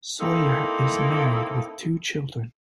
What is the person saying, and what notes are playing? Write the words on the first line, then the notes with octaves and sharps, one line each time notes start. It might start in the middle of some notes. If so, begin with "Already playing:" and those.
Soyer is married with two children.
A#3 C4 D#4 E4 A4